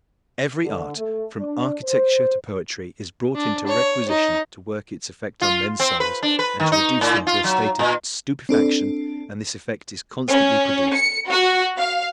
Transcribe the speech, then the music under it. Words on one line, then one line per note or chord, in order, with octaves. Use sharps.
Every art, from architecture to poetry, is brought into requisition to work its effect on men's souls and to reduce them to a state of stupefaction, and this effect is constantly produced.
D3
A3
D4
C5
D4
C#5
D#4
F4
C4
B4
D4
B4
D#3
D#4
A2
F4
F#3
A#2
C4 D4 A4
C#4
C#7
F#4
F5